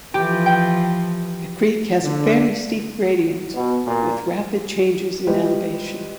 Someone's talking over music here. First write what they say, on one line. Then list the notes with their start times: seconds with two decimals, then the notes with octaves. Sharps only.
The creek has a fairly steep gradient, with rapid changes in elevation.
0.14 E3 F3 G4
0.46 G5
2.03 D3
3.54 B2
3.86 A#2
5.27 G3 G#3 F4 G4 B4 C5